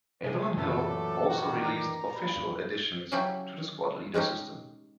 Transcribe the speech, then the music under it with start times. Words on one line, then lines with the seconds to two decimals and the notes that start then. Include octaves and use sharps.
Avalon Hill also released "official" additions to the Squad Leader system.
0.24 C3 G#4
0.57 F#2 A#2 E3 F#3 A3 A4
0.90 D6
1.28 D#3 G3 F#4
1.62 A#5
2.15 G2 A#2 B5
3.12 C#3 F#3 C#4 E4 G4 G5
4.14 G#3 C#4 D#4 G4